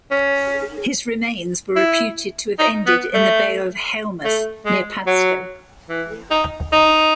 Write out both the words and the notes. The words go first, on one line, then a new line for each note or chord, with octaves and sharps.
His remains were reputed to have ended in the bay of Hailemouth near Padstow.
C#4
E4
D#4
B3
A3
A3
G#3
F#3
E3
D#4
D#4